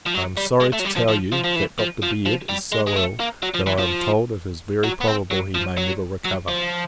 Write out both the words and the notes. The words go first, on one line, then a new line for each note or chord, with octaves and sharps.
I am sorry to tell you, that Dr. Baird is so ill, that I am told it is very probable he may never recover.
F3
F#3
G3
G#3
A3
F#3
G3
F3
F3
F3
F3
E3
F3
F3
F3
G3
G#3
G#3
A3
A#3
F#3
F3
E3
F3
F#3
B3
C4
F#3
F3
F#3
F#3
F3